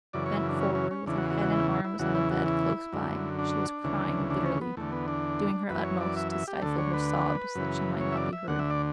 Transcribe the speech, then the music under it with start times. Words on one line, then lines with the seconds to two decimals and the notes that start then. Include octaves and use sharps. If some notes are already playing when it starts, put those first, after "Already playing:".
Bent forward, with her head and arms on the bed close by, she was crying bitterly, doing her utmost to stifle her sobs that she might not be heard.
0.13 F#2 C#3 E3 D5
0.26 C#5
0.37 E4
0.49 D4
0.61 C#4
0.75 C#4
0.91 C#4
1.06 E2 C#3 E3 D4
1.18 F#4
1.30 F#4
1.41 F#4
1.53 E4
1.84 E4
1.99 E2 C#3 E3 F#4
2.15 E4
2.31 F#4
2.46 E4
2.93 F#2 D3
3.39 D4
3.84 D2 C#3 E3
4.30 D4
4.46 C#4
4.61 B3
4.77 E2 D3 A3
4.92 B3
5.08 D4
5.69 F#2 E3 B4
5.85 C#5
6.01 D5
6.17 E5
6.32 E5
6.48 G4
6.62 D2 D3 A4
6.78 C#5
6.93 B4
7.55 F#2 C#3 E3
8.01 C#5
8.12 E5
8.17 D5
8.33 E5
8.48 D2 D3 F#5
8.59 E5
8.70 D5